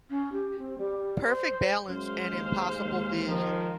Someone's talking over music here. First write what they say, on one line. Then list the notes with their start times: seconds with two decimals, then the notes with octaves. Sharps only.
Perfect balance and impossible vision.
0.10 C#4
0.32 G4
0.58 C4
0.78 G3
1.24 C5
1.88 F#2 G#3 C5 F5
2.32 D#2
2.85 D#2
3.26 D#3 F3